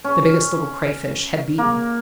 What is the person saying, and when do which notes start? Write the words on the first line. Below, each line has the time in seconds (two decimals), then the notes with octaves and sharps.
The Biggest Little Crayfish had beaten.
0.04 C#4
1.58 A#3